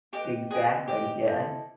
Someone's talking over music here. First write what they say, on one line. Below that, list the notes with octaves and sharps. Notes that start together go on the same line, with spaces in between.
Exactly, yes.
G4 B4 D#5 G5
G#4 B4 D#5 G5
G4 B4 D#5 G5
E4 A4 C5 D#5